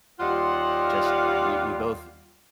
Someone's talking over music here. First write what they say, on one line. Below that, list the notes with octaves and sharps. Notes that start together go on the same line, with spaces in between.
just we we both
D#2 G3 F4 C5 D#5 F#5